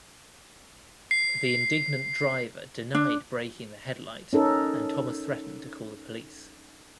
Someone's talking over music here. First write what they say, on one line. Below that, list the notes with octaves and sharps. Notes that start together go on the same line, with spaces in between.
The indignant driver denied breaking the headlight and Thomas threatened to call the police.
C7
D4
C#4 D#4 A4 A#4